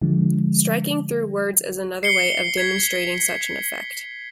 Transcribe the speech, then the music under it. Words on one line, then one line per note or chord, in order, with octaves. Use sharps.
Striking through words is another way of demonstrating such an effect.
D3 F3 G#3
C7 C#7 G7
G#6 B6